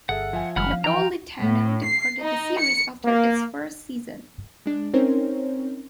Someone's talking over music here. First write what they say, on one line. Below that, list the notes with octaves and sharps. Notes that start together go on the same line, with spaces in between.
Napolitano departed the series after its first season.
G1 G#4 A4 E5 F#5
F3 E5 G#5
F#1 D#3 G3 G#3 F#5 B5 F6
F3 F5
E3 G5 A#5
A2
C7
D#4
C#7
A#3
G#3 D4
C4 C#4 D#4 A#4 C5 C#5